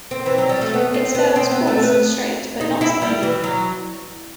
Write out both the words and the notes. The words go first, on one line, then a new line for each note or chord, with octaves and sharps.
Its fur was coarse and straight, but not spiny.
C4
E3
F#3
G3
A3
B3
C4
B3
C4
B3
A3
B3
D#4
E4
G3
E3
F#3